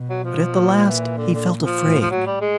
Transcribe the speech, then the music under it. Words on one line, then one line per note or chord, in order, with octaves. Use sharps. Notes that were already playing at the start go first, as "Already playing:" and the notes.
But at the last he felt afraid.
Already playing: B2
F#3
F3
A#2
E3
D3
D3
F3
A2
F3
F#3
G3
G#3